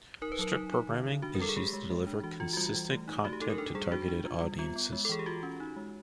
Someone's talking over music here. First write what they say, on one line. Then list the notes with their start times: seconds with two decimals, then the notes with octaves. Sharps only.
Strip programming is used to deliver consistent content to targeted audiences.
0.22 D#4 A#4
0.32 B4
0.39 F#3 A#4
0.55 D#4
0.72 D#4
0.89 D3
1.06 D3
1.22 D4 F#4
1.35 A#4
1.40 G3 A4
1.49 G#4
1.56 G#3 G4
1.73 G#3
1.90 G#3
2.07 D4
2.23 E3 F#4
2.40 E3 F4
2.53 F#4
2.57 G3 F4
2.74 E3
2.91 A3
3.08 D#4
3.25 A3 F#4
3.33 G4
3.41 D#4 A4
3.50 A#4
3.58 D4 A4
3.75 G3 G#4
3.92 D4 F#4
4.08 D4
4.25 F4
4.42 G3
4.59 B3 F4
4.76 B3
4.92 G#3
5.05 A4
5.09 E3 G#4
5.19 G4
5.26 F4 F#4
5.43 C#4
5.60 D#4
5.76 G#3